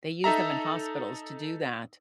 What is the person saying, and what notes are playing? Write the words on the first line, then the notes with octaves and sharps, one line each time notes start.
they use them in hospitals to do that.
D#4 A4 E5 A#5